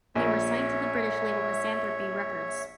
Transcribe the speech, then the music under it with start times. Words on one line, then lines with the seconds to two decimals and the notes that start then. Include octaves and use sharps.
They were signed to the British label Misanthropy Records.
0.15 A#1 C#5 E5